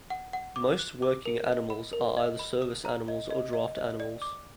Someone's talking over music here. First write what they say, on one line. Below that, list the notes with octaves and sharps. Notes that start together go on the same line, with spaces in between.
Most working animals are either service animals or draft animals.
F#5
F#5
D6
F#6
D6
A#4
D#5
B5
A#4
D#5
B5
D#6
A#5
D#5
D#5
D#5
D#5
D5
D6